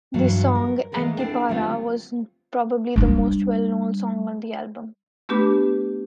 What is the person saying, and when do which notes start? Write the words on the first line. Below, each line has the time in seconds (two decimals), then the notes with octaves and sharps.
The song "Antipara" was probably the most well-known song on the album.
0.14 G2 E3 F#3
0.55 A#4
0.92 E3 G#3 A#3 B3 A#4 B4
1.17 B3 C4 D4 E4 G#4 A4
1.49 D3 G3 A3 B3 C4 F4
2.96 G3 D4
5.29 A3 B3 D4 G4 B4 D6